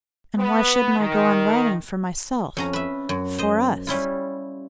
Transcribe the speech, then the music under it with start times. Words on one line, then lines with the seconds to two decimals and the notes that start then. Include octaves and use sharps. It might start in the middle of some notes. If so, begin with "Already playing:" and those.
And why shouldn't I go on writing for myself--for us?
0.39 B3
0.99 D#3
2.57 F2 C#4 A#5
2.73 B4 E5
3.09 F#2
3.38 C5 D#5
3.87 G3 C#4 E4 F4